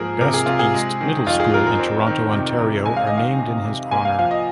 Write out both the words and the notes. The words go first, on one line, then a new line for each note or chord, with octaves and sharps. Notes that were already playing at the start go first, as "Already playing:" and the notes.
Best East Middle School in Toronto, Ontario, are named in his honour.
Already playing: G#2 F3 A#3 G#4 A#4
C3 A#4
G#4
C3 F4
G#4
G#3
D#3
F2 F4
G#4
F2 A#4
A#4
C4
D#3
C3
C3
G#3 G#5
F5
D#3 D#5
F5
C3
C3
A#3 G#5
F5
F3 F5
D#5